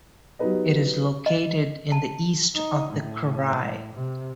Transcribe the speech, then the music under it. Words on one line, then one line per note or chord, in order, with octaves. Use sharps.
It is located in the east of the krai.
F#3 G3 B3 D#4 B4 D#5
D#5
A5
D#4
A2
C3